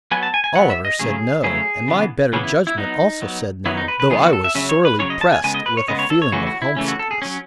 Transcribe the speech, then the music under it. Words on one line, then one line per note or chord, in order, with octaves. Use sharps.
Oliver said no, and my better judgment also said no, though I was sorely pressed with a feeling of homesickness.
F#3 B3 G#5
A5
G#5
G#5
F#3 B3 F#5
E5
D#5
C#3 F#3 A3 C#4 G#4
C#3 F#3 A3 C#4 G#4
C#3 E3 B3
C#3 E3 B3 C#4
E4
E4
F#3 B3 D#4
F#3 B3
D#3 F#3 B3 E4
D#4
B4
B4
D#3 F#3 B3 G#4
F#4
A4
E5
C#3 F#3 C#4 E5
C#5
B4
C#3 F#3 C#4 C#5
D#5
A5
G#5
C#3 G#3 B3 G#5
D#5
B4
C#5
C#3 G#3 B3 D#5
C#5
A4
C#5
C#3 E3 A3 C#4 F#4
F#4
E4
C#3 E3 A3 C#4
F#4
A4
G#4
F#3 C#4